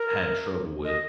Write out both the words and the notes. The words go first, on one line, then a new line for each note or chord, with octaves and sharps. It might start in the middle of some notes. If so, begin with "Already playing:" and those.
had trouble with,
Already playing: A#4
D#5